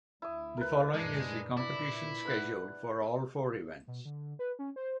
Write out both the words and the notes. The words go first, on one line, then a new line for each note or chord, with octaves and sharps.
The following is the competition schedule for all four events.
D2 E4 D#6
A#4 B4
F#2 A#2 G#3 D4
A#2 E4 D5 B5
B4 F#5
B2
D3
B4
C#4
C5